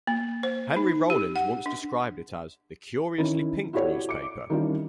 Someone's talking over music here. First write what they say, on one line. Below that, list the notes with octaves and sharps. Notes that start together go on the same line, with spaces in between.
Henry Rollins once described it as "the curiously pink newspaper".
A#3
C5
D#4
G4
F#5
D4
D#3 E3 C#4 E4
E4 F#4 G4 A4 C#5 D5
D6 C#7
D#3 E3 G3 C#4 D4 F4